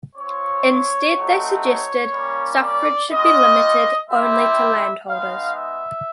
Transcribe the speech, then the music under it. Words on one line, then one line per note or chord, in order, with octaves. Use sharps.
Instead they suggested suffrage should be limited only to landholders.
C4 F4 C#5
A3 C4 D#4 F#4
C#5
G3 A#3 C#4
D5
G3 C4 F4 D#5
G3 C4 E4 G4 E5
G#3 B3 D#4 F5
E5